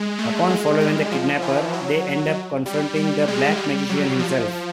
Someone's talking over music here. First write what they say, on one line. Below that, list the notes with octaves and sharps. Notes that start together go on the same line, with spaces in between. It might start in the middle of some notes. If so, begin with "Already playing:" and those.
Upon following the kidnapper, they end up confronting the black magician himself.
Already playing: G#3
A3
G#3
G3
F3
E3
F#3
G3
G3
G#3
G3
F#3
F3